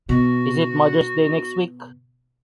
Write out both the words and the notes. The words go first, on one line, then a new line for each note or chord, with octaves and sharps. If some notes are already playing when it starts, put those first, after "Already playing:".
Is it Mother’s Day next week?
B2 F#4